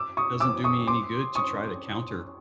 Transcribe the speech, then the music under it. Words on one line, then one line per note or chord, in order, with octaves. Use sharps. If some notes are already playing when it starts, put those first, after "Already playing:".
It doesn't do me any good to try to counter,
Already playing: D6 E6
C#6 D#6
D6 E6
C#6 D#6
C6 D6
C#6 D#6